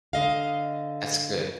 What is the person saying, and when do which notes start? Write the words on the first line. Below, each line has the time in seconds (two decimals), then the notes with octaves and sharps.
That's good.
0.13 D3 D#5 F5